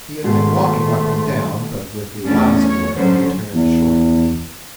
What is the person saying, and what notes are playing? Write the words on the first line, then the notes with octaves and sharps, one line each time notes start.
'He had been walking up and down, but with the last word he turned short at me.
G#2 B2 D#3 A3 C6
E2 A3 C#4 D4
C#5
D3 F#3 C#4 C5
E2